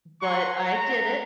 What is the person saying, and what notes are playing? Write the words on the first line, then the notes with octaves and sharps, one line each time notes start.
but I did it.
F#5 G#5 A#5 C6 C#6
F#5 A5 A#5